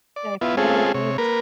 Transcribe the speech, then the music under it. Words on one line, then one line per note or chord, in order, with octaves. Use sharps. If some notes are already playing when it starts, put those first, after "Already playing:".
Yeah, I forget all the names.
D5
B3 E4 F4
G#3 C4 C#4 F4 G#4 A4
C3 C#5
A#3 A#4 B4